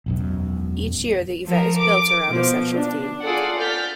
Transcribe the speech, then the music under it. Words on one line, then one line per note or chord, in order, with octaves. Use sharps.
Each year the event is built around a central theme.
E1 B1 F#2
F3 A4 A#4
D6
B2 F3
D4
F4 G#4 A4 D5 F#5
F6 G6 A6 B6